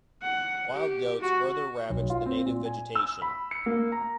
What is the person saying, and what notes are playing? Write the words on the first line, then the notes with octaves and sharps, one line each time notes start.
Wild goats further ravaged the native vegetation.
F#5
G4
F#4
B1
F4
C4
A#2
G#5
E6
B5
C#7
A#3
A#5